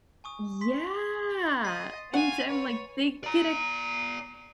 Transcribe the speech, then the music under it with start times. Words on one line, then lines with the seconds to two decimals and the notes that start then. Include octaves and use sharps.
yeah, and I'm, like, they get a
0.24 G#5 C#6 D#6
0.61 C6 B6
1.65 D#5 A6 C7
2.14 F5 F#5 G#5 C#6
2.48 B4 C#5
3.24 D5 A#5